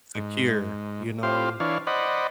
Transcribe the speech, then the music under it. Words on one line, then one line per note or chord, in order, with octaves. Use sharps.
secure, you know?
G#2
C4 F4 G4 C5 F5
E3 D4 C#5 F5
C5 D5 D#5 F#5 B5